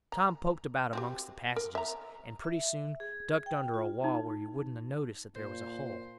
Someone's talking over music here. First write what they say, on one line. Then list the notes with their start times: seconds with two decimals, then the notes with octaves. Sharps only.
Tom poked about amongst the passages, and pretty soon ducked under a wall where you wouldn't a noticed that there was a hole.
0.12 A#5
0.93 C4 F#4 G4
1.56 A#4
1.75 E5 A#5
2.44 E5
3.00 G#4
3.46 G5
3.74 F4
4.04 D#4
5.36 A#2 C5